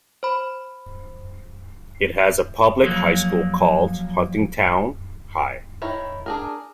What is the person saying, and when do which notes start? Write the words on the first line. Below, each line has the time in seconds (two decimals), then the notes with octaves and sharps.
It has a public high school called Huntingtown High.
0.23 C5 B5
2.83 F3 F#3 A#3
5.82 D#3 E4 C#5
6.26 D4 G#4 A#4